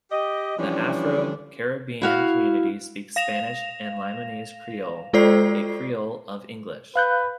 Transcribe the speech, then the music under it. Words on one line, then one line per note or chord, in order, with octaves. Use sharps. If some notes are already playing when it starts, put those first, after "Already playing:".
The Afro-Caribbean community speaks Spanish and Limonese Creole, a creole of English.
G4 D#5
E3 F3 G3 C#4 D4
E4 F#4 F5
F5 A#6 E7 F7
G#3 F4 A4 C5 D5 C7
B4 F5 F#6 G6